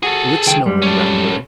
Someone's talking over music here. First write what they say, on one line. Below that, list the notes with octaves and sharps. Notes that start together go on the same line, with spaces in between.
Will it snow in Granbury?
F#4 G#4 A4
C#2 D#3 G5
F#2 G3 G#3
C#4 A4